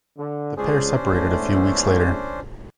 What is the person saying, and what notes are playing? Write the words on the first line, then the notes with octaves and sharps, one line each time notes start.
The pair separated a few weeks later.
D3
C#2 C#4 D4 G#4 C5
E2 G#2 A3